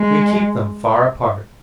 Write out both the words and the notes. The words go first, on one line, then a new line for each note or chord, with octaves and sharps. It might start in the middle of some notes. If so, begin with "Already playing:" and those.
We keep them far apart.
Already playing: G#3